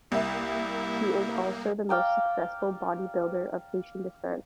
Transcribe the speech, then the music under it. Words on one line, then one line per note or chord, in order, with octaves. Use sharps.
She is also the most successful bodybuilder of Haitian descent.
C2 A#3 E4 E5
D5 F5 G5 A#5